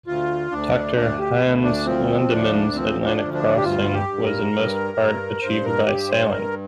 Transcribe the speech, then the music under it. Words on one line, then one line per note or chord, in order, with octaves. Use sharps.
Doctor Hannes Lindemann's Atlantic crossing was in most part achieved by sailing.
D2 F4
D2 D4
D2 D4
G4
D2
D4
F3 C4
D2 D4
F3 C4
D4
D2
D4
G4
G2 F4
G4
G2
A#4
G2
G2
G2 C5
A#4
G2 G4
C5
G2 A#4